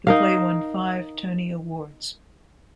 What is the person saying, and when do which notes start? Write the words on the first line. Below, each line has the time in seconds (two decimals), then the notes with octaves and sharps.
The play won five Tony Awards.
0.07 D#4 A#4 F5